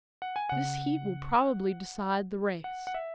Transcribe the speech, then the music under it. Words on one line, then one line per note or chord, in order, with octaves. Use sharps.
This heat will probably decide the race.
F#5
G#5
C#3 F#5
F#5
F#5
E5